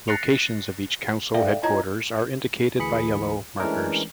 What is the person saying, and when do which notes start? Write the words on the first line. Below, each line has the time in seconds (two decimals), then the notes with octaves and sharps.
"Locations of each council headquarters are indicated by yellow markers".
0.08 F#6 A6 A#6 C7 C#7 F7
1.34 A4 D5 E5 F5 G5
1.63 E4 F4 C#5 D#5 A#5 G#6
2.78 D2 E3 G#4 B5 C#7
3.60 E3 G#3 A3 C#4 D4 A#4